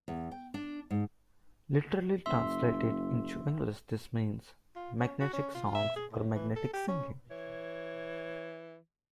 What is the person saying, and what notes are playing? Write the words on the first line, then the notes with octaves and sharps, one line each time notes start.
Literally translated into English this means "Magnetic Songs" or "Magnetic Singing".
E2
G5
D4
G#2
F#1 E5 C6 E6
F4
C#4
F#4
C#4
F4
E5
G#4
A2
E3
A4
G4
C#4
E3 C#5